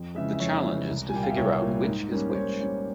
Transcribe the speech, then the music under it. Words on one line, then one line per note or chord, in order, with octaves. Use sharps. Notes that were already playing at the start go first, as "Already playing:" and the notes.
The challenge is to figure out which is which.
Already playing: F2
C#3 E3 G#3 E5
E5
F2 C#5
C#3 E3 G#3
C2
G#5
A#2 G3 A#3 G5
F5
E5
C2 C#5
A#2 G3 A#3
G#2
G3 A#3 C#4
C5
G#2 C#5
G3 A#3 C#4 C#5